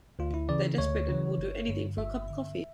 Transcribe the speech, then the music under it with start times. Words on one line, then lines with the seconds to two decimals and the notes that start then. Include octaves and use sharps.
They're desperate and will do anything for a cup of coffee.
0.19 D2 F4
0.34 E4
0.49 C#3 E3 D5
0.78 D2 C#5
1.08 C#3 E3
1.38 G1
1.68 G2 D3
1.98 G1 E5
2.27 G2 D3